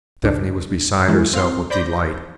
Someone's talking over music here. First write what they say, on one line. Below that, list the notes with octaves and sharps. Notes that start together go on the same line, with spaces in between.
Stephanie was beside herself with delight.
C#2 D4
E3 F#3 G#3 C#4 E4
C4 F5 C6
C5 D5 B5 G6 A#6